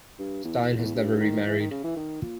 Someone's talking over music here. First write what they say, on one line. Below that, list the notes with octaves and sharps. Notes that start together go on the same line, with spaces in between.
Stein has never remarried.
G2
E2
E2
E2
G2
D#3
E3
D#3
C#3
E3
D#3
A#2